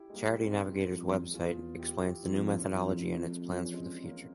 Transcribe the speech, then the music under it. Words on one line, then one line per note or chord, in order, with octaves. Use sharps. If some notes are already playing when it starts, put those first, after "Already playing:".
Charity Navigator's website explains the new methodology and its plans for the future.
Already playing: E4 G4
G#3
G3 A#3
G#3 C4
F2
E2 F4 G#4
E4 G4
F2 C4 E4
A#3 C#4
F2
G#3 C4
F3 G#3
E3
C#4
G#3 C4
A#3 C#4